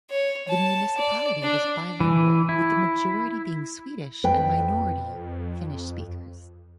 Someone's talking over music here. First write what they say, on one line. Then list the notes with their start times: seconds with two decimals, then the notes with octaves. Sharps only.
The municipality was bilingual, with majority being Swedish and minority Finnish speakers.
0.10 C#5
0.48 A5
0.98 D5
1.42 D4
2.00 E3
2.49 E4
4.24 F2 B4 G5